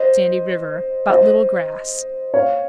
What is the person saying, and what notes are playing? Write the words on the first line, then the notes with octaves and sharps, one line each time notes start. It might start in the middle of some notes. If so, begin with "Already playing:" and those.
Sandy River.--But little grass.
Already playing: C5 D#5
C5 D#5
C#5 F5